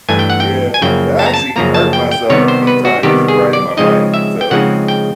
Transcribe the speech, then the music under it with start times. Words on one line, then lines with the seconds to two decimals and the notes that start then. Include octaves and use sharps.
yeah. I actually hurt myself a few times riding my bike. So,
0.09 G2 E3 A3 D4 G#5
0.19 G5
0.30 F#5
0.40 G5
0.74 G#5
0.82 F#2 C#3 F3 A#3 G5
1.19 A5
1.26 A#5
1.34 A5
1.56 F#2 C#3 F3 A#3 A#5
1.74 A5
1.93 G5
2.11 G5
2.30 C3 D#3 G3 B3 C#5
2.48 C5
2.67 B4
2.85 F#4
3.03 C3 D#3 G3 B3 G4
3.28 G#4
3.53 D5
3.77 C#3 F3 G#3 C4 D#4 D#5
4.14 E5
4.41 G5
4.51 C#3 F3 G#3 C4 D#4 F#5
4.88 G5